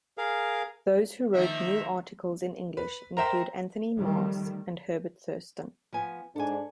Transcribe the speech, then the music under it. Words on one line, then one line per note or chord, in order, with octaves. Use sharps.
Those who wrote new articles in English include Anthony Maas and Herbert Thurston.
G#4 A#4 F5
D#3 F3 A#3 E5
B4
A#4 C5 E5 G5 A#5
D#3 F3 G3 A3
F3 B3 G#5
G#2 D4 A4 G#5